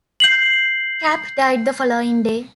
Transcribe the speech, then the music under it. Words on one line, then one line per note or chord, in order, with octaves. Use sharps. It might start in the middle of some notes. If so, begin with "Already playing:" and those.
Kapp died the following day.
G6 C7 F#7